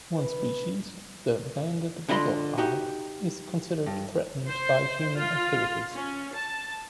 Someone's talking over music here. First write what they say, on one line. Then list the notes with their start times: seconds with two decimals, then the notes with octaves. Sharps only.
One species, the banded wattle-eye, is considered threatened by human activities.
0.14 B4
2.09 D3 E4 F4 D#5 B5 C6
2.58 D#4 F#4 G4
3.86 G2
4.47 C5
5.17 F4
5.93 C#4
6.34 A5